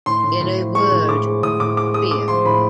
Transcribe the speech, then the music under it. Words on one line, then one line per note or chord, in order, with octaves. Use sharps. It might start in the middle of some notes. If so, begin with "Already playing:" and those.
In a word, fear.
A2 C6
A2
A2
F3
G#3 C#6
A2
A2 D6
G#3
A2 D#6
A2 D6
G#3 D6
G#3 D#6
G#3 D6
F3 C6
A2 B5